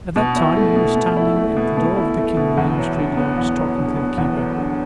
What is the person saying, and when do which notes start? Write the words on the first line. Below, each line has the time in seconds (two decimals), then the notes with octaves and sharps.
At that time he was standing at the door of the King William Street Lodge talking to the keeper.
0.16 B2
0.36 E4
0.56 A3
0.76 B2
0.96 B2
1.17 E4
1.36 A3
1.57 B2
1.77 B2
1.96 E4
2.17 A3
2.37 B2
2.57 E2
2.77 F#3
2.97 D3
3.17 B3
3.38 E2
3.57 F#3
3.78 D3
3.97 B3
4.18 E2
4.37 F#3
4.58 D3